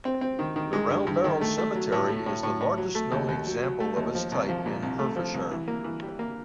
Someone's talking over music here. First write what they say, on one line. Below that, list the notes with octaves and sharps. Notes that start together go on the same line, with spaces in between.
The round barrow cemetery is the largest known example of its type in Hertfordshire.
C4
C4
D#3
D#3
G#3
G2
G2
D#3
A3
A3
F#3
A2
A3
A2
A2
A2
F#3
A3
D#2
D#2
F#3
F#3
A3
D#2
F3
C2
F3
A#2
C2
A3
F3
C2
E3
A#3
E3
G3
A#3